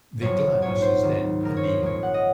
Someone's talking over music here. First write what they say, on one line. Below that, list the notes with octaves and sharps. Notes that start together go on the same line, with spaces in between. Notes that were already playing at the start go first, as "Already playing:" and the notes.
The glass is then annealed.
F#1 F2 C3 F#3 C#5
A#1 G#2 F#3 C#5
C5
C#2 C3 D#3
F1 F2 C3 A#4
C#5
C5
A#1 A#2 F3 G#3 C#5
F#5
D#5